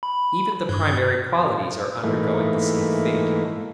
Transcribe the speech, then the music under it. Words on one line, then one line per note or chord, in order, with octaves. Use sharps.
Even the primary qualities are undergoing the same fate.
B5
G2
G#2 E3 A3 A#3